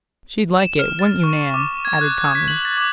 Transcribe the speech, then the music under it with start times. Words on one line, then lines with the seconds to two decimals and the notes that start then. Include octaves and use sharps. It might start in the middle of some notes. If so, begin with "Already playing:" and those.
"She'd like it; wouldn't you, Nan?" added Tommy.
0.60 E7
0.79 F6
0.99 A6
1.24 C#6
1.54 D6
1.85 G#6
2.01 F#6
2.35 B6
2.48 F#7
2.65 A6
2.77 D6